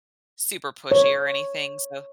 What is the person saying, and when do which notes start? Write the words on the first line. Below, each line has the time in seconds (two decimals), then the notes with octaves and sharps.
super pushy or anything, so
0.91 C#5